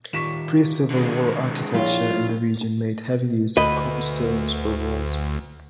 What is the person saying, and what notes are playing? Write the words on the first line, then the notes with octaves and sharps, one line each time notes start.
Pre-Civil War architecture in the region made heavy use of cobblestones for walls.
D#3 F4 G4 C#6 B6 E7
D3 G#3
A#1 E4 F4 C#5
D2 B4 D#5